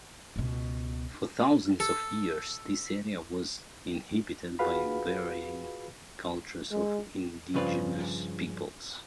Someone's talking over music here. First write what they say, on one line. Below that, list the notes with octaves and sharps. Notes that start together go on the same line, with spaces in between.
For thousands of years, this area was inhabited by varying cultures of indigenous peoples.
C#2 B2
A4
F4 F#4 G#4 B4 F5 B5
G#3
G2 C#3 F3 B4 D5 F5